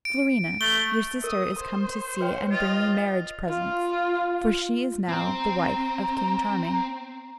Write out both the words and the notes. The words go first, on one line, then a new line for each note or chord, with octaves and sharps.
"Florina, your sister is come to see and bring you marriage presents, for she is now the wife of King Charming."
D7
A3 G7
A#4 D#6
C5
B4 C#5 G5
F4 D#5
F4
C4 A#5